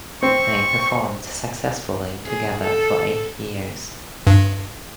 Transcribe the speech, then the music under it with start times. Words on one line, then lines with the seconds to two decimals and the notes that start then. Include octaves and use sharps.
They performed successfully together for eight years.
0.23 C4 C#6
2.26 G#4
2.62 A4
4.27 G2